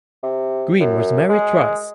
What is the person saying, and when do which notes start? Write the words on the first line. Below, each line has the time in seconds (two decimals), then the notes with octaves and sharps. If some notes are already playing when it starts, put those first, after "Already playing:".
Green was married twice.
0.23 C3
0.80 F#2
1.29 G#3